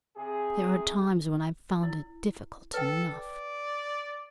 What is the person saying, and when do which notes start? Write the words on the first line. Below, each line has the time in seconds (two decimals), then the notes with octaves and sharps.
"There are times when I've found it difficult enough."
0.15 C3 G#4
1.83 E4
2.74 A4 B4 G5
3.12 D5